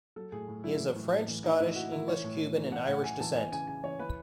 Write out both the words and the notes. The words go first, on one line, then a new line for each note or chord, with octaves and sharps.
He is of French, Scottish, English, Cuban, and Irish descent.
F#3 A4
A2 G#4
A2
F#3 E4
E3
A2
A2
E3
E3 D#4
A2 E4
A2 F#4
E3 E4
E3 C#5
A2
A2
E3
E3 F#5
A2 F#5
A2 G#5
E3 A5
E3 G#5
C#3 G#5
C#3 G#5
E3 C#5
E3 B4